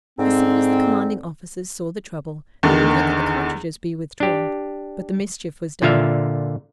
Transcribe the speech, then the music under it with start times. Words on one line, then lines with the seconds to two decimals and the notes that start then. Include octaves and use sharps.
As soon as the commanding officers saw the trouble, they ordered that the cartridges be withdrawn--but the mischief was done.
0.19 G#2 D3 C4
2.63 E2 D3 D#3
4.20 D4 G4
5.82 A#2 D3 F4 E5 F5